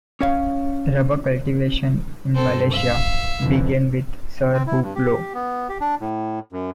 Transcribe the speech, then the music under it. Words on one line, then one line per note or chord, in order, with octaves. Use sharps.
Rubber cultivation in Malaysia began with Sir Hugh Low.
C#4 C#5 F5
B1 G2 C4 A4
E5 F5
F2 D3 E3
C4
E4
G2
G4
B3
G4
D4
A2
F#2